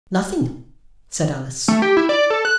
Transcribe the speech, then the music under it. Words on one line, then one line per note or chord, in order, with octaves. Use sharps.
'Nothing,' said Alice.
A3
G4
E4
D5
A4
F#6